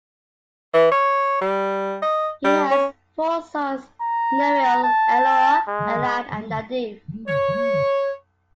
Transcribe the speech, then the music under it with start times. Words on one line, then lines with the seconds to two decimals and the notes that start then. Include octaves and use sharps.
He has four sons, Nuriel, Elior, Ilan and Nadiv.
0.73 E3
0.92 C#5
1.41 G3
2.02 D#5
2.44 G3
2.71 C#4
4.01 A#5
4.84 A5
5.68 G#3
7.27 C#5